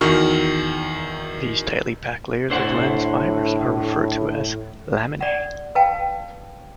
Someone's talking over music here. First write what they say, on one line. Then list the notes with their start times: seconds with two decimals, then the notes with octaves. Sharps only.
These tightly packed layers of lens fibers are referred to as laminae.
0.01 E2 D#3 F#4 C#6 F6
2.50 A2 D3 C5 F#5
5.21 D5 F#5
5.75 B4 F5 G5 A5